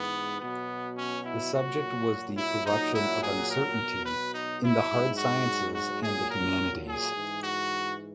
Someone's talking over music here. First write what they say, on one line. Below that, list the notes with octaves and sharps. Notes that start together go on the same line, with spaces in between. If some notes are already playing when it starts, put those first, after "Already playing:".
The subject was the eruption of uncertainty in the hard sciences and the humanities.
Already playing: G#2 E3 B3
B2 F#3 B3
C#4
E4
A#2 F#3 F#4
E4
A#2 F#3 D#4
E4
G#4
A#4
B2 F#3
B4
D#4
E4
G#2 F#3
F#4
F#4
A#2 F#3 G#4
A#4
G#4
G#2 E3
F#4